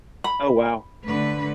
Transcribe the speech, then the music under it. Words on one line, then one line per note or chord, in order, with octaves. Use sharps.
oh, wow.
B5
D3 A3 B4